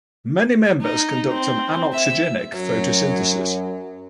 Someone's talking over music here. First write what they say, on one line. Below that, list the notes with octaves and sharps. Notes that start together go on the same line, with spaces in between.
Many members conduct an anoxygenic photosynthesis.
D#4
C4
E5
F#2 F#3